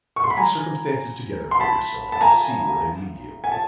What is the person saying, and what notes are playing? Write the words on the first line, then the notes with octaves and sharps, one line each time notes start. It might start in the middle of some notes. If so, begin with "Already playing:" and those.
Put the circumstances together for yourself and see where they lead you.
C#6
C6
B5
G#5 A#5
C6
A5 B5
A5
G#5 A#5
G#5
A5